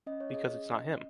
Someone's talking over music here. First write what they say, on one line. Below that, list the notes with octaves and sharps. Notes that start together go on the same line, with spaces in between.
Because it's not him.
C#4 D#5
C#5
G#4 D#5
C#4
C#4